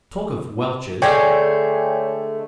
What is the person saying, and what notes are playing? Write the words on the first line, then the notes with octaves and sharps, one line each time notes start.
Talk of welchers!
D3 G#3 A3 C#5 G5 G#5